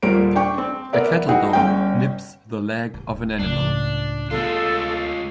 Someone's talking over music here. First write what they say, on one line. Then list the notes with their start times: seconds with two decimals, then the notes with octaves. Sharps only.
A cattle dog nips the leg of an animal.
0.03 D#1 A#2 G3 A#4 C5 D7
0.35 D4 G5 C#6
0.58 C4
0.93 B3 A#4 D5 E5
1.29 D#4 E4 F#4 G#4 F#5 G5
1.53 G1 C#4 G5
2.94 D1
3.39 C#2 A2 D4
4.31 D2 G#3 B3 F4 A4